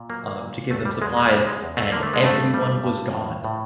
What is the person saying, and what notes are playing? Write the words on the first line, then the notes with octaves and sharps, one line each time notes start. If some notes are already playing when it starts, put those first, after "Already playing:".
um, to give them supplies and everyone was gone.
Already playing: A#2
F#3 A#3
A#2
E2 A3
G3
E2 G#3
G#3
C#3 G3
G#3
E2
A3
D3 A#3
A3
G#3
G2 A3
G3
G2
A2
A2